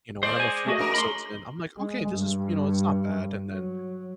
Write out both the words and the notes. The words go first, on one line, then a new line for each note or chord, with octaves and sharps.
you know, when I'm a few episodes in, I'm like, "Okay, this is, you know, it's not bad," and then,
G#3 C5 D5
C5 G#5
A3 F#4 D#5
C#4 A#4
B5 C6
G#3
G2
F#3